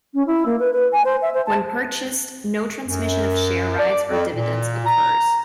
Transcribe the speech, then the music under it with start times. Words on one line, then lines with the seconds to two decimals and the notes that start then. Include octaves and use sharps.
When purchased, no transmission of share rights or dividends occurs.
0.14 C#4
0.27 E4
0.46 A#3
0.59 B4
0.73 B4
0.92 G#5
1.05 C5
1.22 E5
1.34 C5
1.46 A5
2.87 F#2
3.79 D5
4.09 F2
4.34 A#2
4.86 A#5